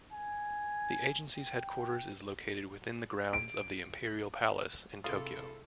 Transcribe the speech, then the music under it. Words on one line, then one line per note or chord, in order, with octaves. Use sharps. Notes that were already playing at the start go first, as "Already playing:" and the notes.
The agency's headquarters is located within the grounds of the Imperial Palace in Tokyo.
G#5
G5
D7
C3 E4 F4 G#4 A4 D#6